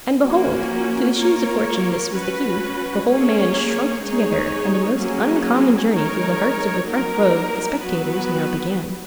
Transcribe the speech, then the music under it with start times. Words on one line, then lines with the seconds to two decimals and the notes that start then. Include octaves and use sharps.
And behold! to the Shoes of Fortune this was the cue; the whole man shrunk together and a most uncommon journey through the hearts of the front row of spectators, now began.
0.23 F3 A#3 C#4 F#4
1.19 A#3 F4 A#4 C#5
2.13 C#4 F#4 B4
3.08 A#3 C#4 G#4 C#5
4.03 G#3 D#4 G#4 C#5
4.98 F#3 A#3 C#4 G#4
5.93 G#3 D#4 A#4 C#5
6.87 F#3 A#3 D#4 A#4
7.83 F#3 B3 F#4 B4